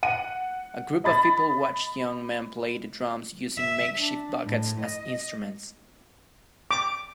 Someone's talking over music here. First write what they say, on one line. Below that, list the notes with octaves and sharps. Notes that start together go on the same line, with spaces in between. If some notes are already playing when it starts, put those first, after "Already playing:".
A group of people watch young men play the drums using makeshift buckets as instruments.
F#5 D#7
D#5 B5 A6
E5
D4
A2
D#5
D6